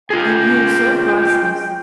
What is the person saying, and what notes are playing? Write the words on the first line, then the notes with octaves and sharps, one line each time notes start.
And you so priceless!
F4 G#4 G5